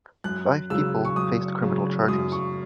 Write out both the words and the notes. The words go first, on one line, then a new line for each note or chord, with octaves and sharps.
Five people faced criminal charges.
F#2 F#6
C#3 F#3 E6
C#6
F#2 D#6
C#3 F#3
F#2 D#6
C#6